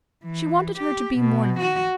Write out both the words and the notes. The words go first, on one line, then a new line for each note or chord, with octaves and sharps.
She wanted her to be more known.
E3
G4
B2
F#4